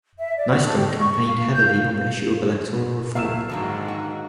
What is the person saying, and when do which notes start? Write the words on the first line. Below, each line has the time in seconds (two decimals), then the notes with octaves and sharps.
Nystrom campaigned heavily on the issue of electoral reform.
0.19 E5
0.38 D5
0.50 F#4
0.64 A4
0.75 G4
0.86 D#5
1.00 C#6
1.27 F5
1.51 G6
1.66 F5
3.15 F#3 A3 E4 F5 E6 E7
3.49 G#2 D3 D#3 F3 F#3 A#3 F#4
3.88 D#4 F#4